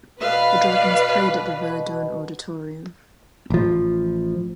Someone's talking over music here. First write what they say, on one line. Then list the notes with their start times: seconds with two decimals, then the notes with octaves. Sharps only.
The Dragons played at the Verdun Auditorium.
0.21 B2 B4 D5 F5
3.50 A1 F3